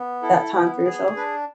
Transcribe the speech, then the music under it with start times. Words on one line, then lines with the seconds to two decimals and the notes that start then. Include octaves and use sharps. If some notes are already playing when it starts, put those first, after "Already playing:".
that time for yourself?
Already playing: B3
0.22 E4 A4
0.53 B3
0.85 G#4
1.16 D4 B4